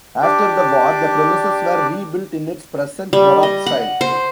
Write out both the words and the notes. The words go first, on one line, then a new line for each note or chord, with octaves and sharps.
After the war the premises were rebuilt in its present Baroque style.
D4 G4 D5
G3
D#5
F#5
C5